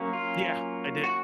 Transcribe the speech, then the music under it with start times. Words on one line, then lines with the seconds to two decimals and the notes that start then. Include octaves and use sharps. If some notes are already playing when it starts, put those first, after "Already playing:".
Yeah. I did.
Already playing: F#3 A#3 C#4
0.13 F4
1.04 F#4